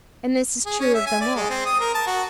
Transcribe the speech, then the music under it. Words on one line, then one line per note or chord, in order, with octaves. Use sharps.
And this is true of them all.
G#4
C#4
E5
G#5
D5
G#3
C4
D#6
A#4
A5
F#4